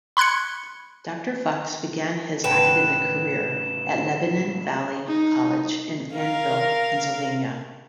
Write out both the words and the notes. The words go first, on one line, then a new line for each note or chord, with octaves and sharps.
Doctor Fox began his academic career at Lebanon Valley College in Annville, Pennsylvania.
B5 C6 F#6 G#6 C#7
A2 C#3 B4 F#5 G5 A5 E7
D#4
A#4 F5